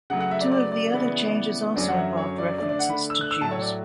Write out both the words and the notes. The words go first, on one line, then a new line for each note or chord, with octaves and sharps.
Two of the other changes also involved references to Jews.
C#3 F#3 A3 F#5
F#5
E5
D5
D5
D5
C#3 E3 B3 E4
F#2 D3 F#3 C#4 D5
F#5
E5
C#5
D5
D3 A3 D4 D5
D5
F#5
B5
E6
F#6
E6
A2 F#3 A3 A5
C#5
D5